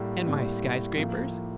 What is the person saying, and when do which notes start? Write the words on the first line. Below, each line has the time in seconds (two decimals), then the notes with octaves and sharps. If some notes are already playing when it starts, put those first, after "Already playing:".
"And my sky-scrapers?"
Already playing: A2 G3 A#3
0.25 A2 G3 A#3
0.98 A2 F3 A#3